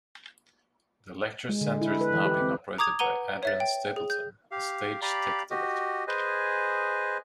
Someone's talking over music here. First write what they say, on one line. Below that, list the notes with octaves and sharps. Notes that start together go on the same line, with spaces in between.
The lecture center is now being operated by Adrian Stapleton, a stage tech director.
G#3
D3
E4
B4
E3
G4
C4
A#5 D6 D#6 G#6 F7
B4 F#5 A#5 D#7 G7
C#5 E5 A6
G5
G#4
G6
G4 F5
G4 D5 F5 A#5 B5
F#4 G4 D#5
G#4 B4 C5 D#5 G#5